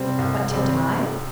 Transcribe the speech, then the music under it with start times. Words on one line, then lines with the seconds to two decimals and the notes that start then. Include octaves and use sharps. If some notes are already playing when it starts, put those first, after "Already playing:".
But to die?
Already playing: C2 C3 G3 C4
0.18 C2
0.51 C3 G3 C4